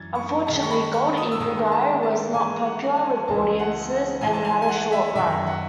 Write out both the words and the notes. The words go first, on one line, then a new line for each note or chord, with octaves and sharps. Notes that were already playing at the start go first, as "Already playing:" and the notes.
Unfortunately Gold Eagle Guy was not popular with audiences and had a short run.
Already playing: F#2 E3 G#6 A6
C#6
G#2 D#3 A5
C#6
B5
C#6
D#6
E6
G#2 D#3 D#6
A5
A5
G#2 E3 G#5
F#5
G#5
C#2 C#3 E3 A5
F#5
F#5
G#2 E3 G#5
A5
G#5
G#5
F#5
E5
F#2 D#3 E5
F#5